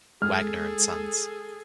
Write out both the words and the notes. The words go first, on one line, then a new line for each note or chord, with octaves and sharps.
Wagner and Sons.
G#3 G#4 A4 F6